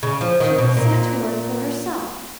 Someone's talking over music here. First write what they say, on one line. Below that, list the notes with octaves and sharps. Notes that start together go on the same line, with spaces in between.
She will set to work for herself.
C#3
F3
D#3
B2
A#2